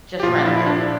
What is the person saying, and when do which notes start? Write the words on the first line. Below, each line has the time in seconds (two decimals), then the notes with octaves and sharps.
Just rinse it.
0.20 G4
0.23 A#2 F3 F4
0.45 E4
0.66 D4